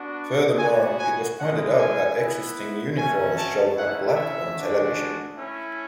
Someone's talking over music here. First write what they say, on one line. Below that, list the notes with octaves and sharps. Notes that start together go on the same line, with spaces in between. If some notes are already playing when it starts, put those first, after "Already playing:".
Furthermore, it was pointed out that the existing uniforms showed up black on television.
Already playing: B3 D4 F#4
B3 F#4 G#5
G#5
G#3 C#4 E4 F#5
G#5
B3 E4
A3 C#4 F#4 G#5
A5
A3 C#4 E4 F#5
E5
G#3 D4 F#4
A3 C#4 E4